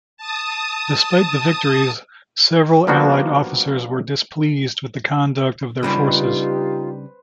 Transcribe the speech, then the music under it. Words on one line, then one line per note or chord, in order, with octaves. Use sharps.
Despite the victories, several allied officers were displeased with the conduct of their forces.
A5 D#6
F3 G3 A#3 B3 D4 F#4
C#3 G3 D4 D#4 F4 G4 B4 C5